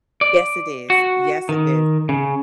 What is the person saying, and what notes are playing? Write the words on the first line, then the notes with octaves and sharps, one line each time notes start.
Yes, it is. Yes, it is.
D5
F#4
D#3
C#3